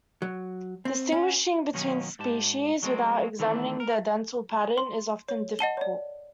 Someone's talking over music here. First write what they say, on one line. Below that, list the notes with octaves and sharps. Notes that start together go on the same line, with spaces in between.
Distinguishing between species without examining the dental pattern is often dificult.
F#3
C4
C#4
D#2 B2 D#3 F#3 A#3 C#4
G#2 G4 A5
F#3 G#3 A3 C4
D#3 E3 A3 C4 D4
A#4
C6
C#5
D#5 F#5 A5 G7
C#5 D5